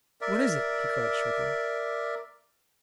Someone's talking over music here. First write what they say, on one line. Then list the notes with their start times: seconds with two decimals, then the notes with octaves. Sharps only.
"What is it?" he cried, shrinking.
0.21 A#4 D5 E5